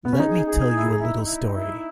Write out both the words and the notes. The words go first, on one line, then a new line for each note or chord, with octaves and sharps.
Let me tell you a little story.
B3
C#4
D#4 G#4
G#4
E4
E4
E4
E4